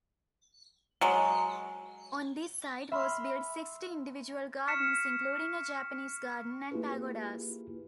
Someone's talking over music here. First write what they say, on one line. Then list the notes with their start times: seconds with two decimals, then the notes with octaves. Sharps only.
On this site was built sixty individual gardens, including a Japanese garden and pagodas.
1.01 F#3 G#3
2.92 E5 B5 C6 F6
4.67 C#6 F6 B6 C#7 E7
6.71 A#3 E4 F4 G4 G#4 B4